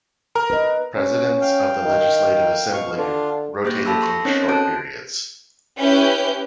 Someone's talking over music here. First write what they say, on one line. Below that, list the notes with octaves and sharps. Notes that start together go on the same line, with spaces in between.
Presidents of the Legislative Assembly rotated in short periods.
A#4 A#5
B4 D#5
C#4
F5 G5
D#3
B2 F5 C#6
D3 D4 F4
A#3 G4 G#4 C5 G6 A#6
A4 F5 A5 B5 E6
C6 C#6 A#6
C4 C#4 D#4 A#4 C5 C#5
F#4 A4 A5 F#6 G6 D7
C#4 E4 G4 B4 C#5 G6